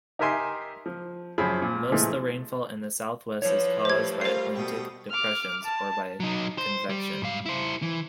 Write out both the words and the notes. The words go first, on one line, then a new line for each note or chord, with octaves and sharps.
Most the rainfall in the south-west is caused by Atlantic depressions or by convection.
D#4 G4 A#4 E5 G#5 C6
F3
F#2 F3 G#4 B5
A#2
A#2 E3 F3 G#3 A3
E3 F3 C#5
G3 A3 C5 G#6
F4 A#4 C5 F5 C7
B2 G5 D#6
D6 F6
A5
F#3 D#4
C5
G3
G#2 F5
E4 C5
E3